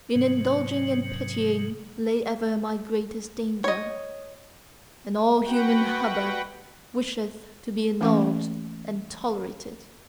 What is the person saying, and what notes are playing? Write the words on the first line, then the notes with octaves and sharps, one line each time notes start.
In indulging and pitying lay ever my greatest danger; and all human hubbub wisheth to be indulged and tolerated.
G#2 C3 F#3
C#5 D#5
F#4 B4 F#5 G5
E3 A3 A#3 C#4 F#5 D6